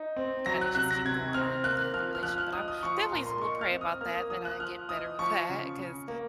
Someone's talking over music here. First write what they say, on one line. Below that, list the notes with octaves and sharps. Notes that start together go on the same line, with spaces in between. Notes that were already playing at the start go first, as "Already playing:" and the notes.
kinda just keep going on with the the relation But I'm definitely still pray about that, that I get better with that, 'cause
Already playing: D#4
C4
F#3 A#6
F#6
C3 F#6
A#6
C3 G#6
C4 F6
A#3 F#6
F3 F6
F6
F3 F#6
F6
D#4 D#6
D#6
F3 C#6
C6
A#2 A#5
C6
D#4 C#6
F6
C4
D#6
A#3 F6
D#6
F3 D#6
F#6
F3 F6
D#4 D#6
F3 C#6
C#3
C#3
A#3